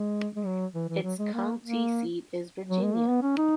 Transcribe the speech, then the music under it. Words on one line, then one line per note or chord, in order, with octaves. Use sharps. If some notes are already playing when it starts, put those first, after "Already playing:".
Its county seat is Virginia.
Already playing: G#3
G#3
F#3
E3
E3
F#3
G#3
A#3
A#3
F#3
G#3
A#3
B3
C#4
D#4